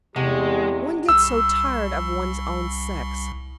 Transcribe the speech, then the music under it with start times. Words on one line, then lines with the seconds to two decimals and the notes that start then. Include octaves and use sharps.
One gets so tired of one's own sex!
0.16 E2 C3 G#3 A3 G4 F#5
1.09 C2 E6